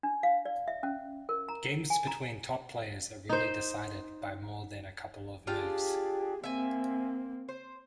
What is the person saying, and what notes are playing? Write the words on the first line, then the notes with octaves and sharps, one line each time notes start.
Games between top players are rarely decided by more than a couple of moves.
D4
F5
D5
E5
C#4
A#4
A#5
G#5
A#5
D#4 C5
D4 F4 G4 G#4
A#3 C4 E5 G#5
C5